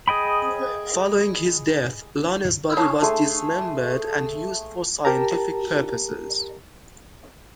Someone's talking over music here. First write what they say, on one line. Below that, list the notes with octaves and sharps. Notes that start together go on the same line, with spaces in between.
Following his death, Lanne's body was dismembered and used for scientific purposes.
G#4 D#5 G5 B5
C#5 F5 A5
A3 G#4 C6
G4 A#4 A5 A#5